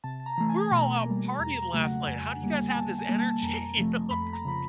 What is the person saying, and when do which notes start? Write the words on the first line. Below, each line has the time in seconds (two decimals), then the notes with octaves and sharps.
We're all out partying last night, how do you guys have this energy, you know? It's like
0.04 C3 A5
0.20 A5
0.26 A#5
0.38 E3 A3
0.49 G#5
0.71 B2 A#5
1.05 G3 A#3
1.39 E2 A#5
1.62 A#5
1.73 C#3 F#3 A3
1.84 F#5
2.07 F2 G#5
2.41 D3 G3 A#3
2.70 G#5
2.75 B2 A5
2.98 G#5
3.09 G3 A#3
3.20 A5
3.43 F2 A#5
3.77 C3 F3 A3
4.11 F2 B5
4.33 A#5
4.45 C#3 F3 B5